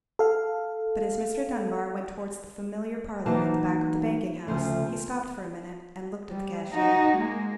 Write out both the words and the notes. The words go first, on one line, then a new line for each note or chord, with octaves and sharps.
But as Mr. Dunbar went towards the familiar parlour at the back of the banking-house, he stopped for a minute, and looked at the cashier.
A4 F5
E3 F#3 A#3 D#4 F5 A5
D2 C#3 F3 A3
G3
D#4 F#4
G#3 A#3